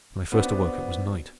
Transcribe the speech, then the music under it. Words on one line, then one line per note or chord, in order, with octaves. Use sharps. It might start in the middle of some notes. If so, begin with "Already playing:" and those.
When I first awoke, it was night.
B3 C4 D4 F#4